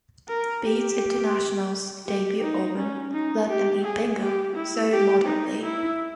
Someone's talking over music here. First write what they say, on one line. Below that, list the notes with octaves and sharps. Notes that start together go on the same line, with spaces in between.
Beats International's debut album, "Let Them Eat Bingo", sold moderately.
A#4
G4
G4
D#4
C#4
D#4
G4
G#4
G4
E4
G4
D#4
E4